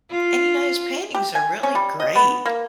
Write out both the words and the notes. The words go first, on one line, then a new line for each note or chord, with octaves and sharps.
And, you know, his paintings are really great.
F4
G4
G#5
C#4
G3
D#5
B3
A#3